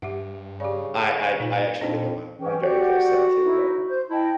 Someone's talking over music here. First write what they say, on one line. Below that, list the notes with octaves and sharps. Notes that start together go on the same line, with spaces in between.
I I I actually think I'm on I'm very close to that too, but
G2 G4 E5 F#5
C#3 G4 D5
A#2 D#4 F4 B4
F2 A#2 D4 D#4
E3 C#4 G#4 G5
F#4 G4 D5 F#5
D#4 E4
C5 G6
E4 D#5 G5 A5